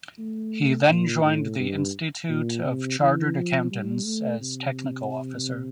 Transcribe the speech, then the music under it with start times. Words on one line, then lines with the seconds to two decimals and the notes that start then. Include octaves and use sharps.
He then joined the Institute of Chartered Accountants as Technical Officer.
0.19 A3
0.88 A#2
1.24 A2
1.59 G2
2.29 A#2
2.65 C3
3.01 E3
3.35 F3
3.71 G3
4.06 A3
4.41 C3